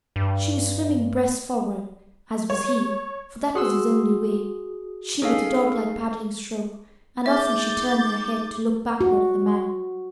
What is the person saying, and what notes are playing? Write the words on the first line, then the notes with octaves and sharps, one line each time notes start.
She was swimming breast forward, as was he--for that was his only way--she with a dog-like paddling stroke, and often she turned her head to look backward at the man.
G2
C#5
F#4 G#4 F#5 C6 D#6 E6
C#4 D#4 G#4 A4 F5
D#4 G#4 E5 D6 G6 A6
F#4